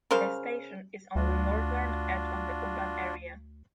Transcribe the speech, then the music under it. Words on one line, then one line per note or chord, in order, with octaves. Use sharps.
The station is on the northern edge of the urban area.
C#3 A#4 C5 F5
D2 D4 F4 F#4